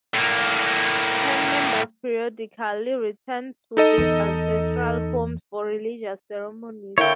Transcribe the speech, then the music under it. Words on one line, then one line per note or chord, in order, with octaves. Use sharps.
Clan members periodically return to these ancestral homes for religious ceremonies.
A2 A#3
D#4 A4 D#5
E2
D3 A#3 E4 C#5 G5